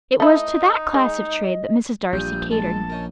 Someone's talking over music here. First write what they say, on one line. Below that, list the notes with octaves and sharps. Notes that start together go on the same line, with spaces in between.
It was to that class of trade that Mrs. Darcy catered.
A3 D#4 E4
G#3 D#5
A#1 G2 G#4 G#5 G6
G#3 A5
C#4 D#4 A#4